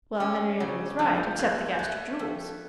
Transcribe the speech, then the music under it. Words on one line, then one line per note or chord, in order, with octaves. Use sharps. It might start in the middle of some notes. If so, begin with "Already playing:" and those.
Well, Henriette was right--except the Gaster jewels.
C#4 D6 E6
C#3
F3 E6 F#6
A#3 F#6 G#6
G6
A3 F#6 G#6
F2